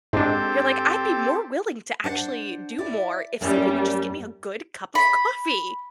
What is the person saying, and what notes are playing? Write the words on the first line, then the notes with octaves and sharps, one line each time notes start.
You're like, "I'd be more willing to actually do more if somebody would just get me a good cup of coffee."
G#2 C4 D4 G4 A4
D4 C5 F#5
E4 D5
F#2 G3 A3 A#3
B5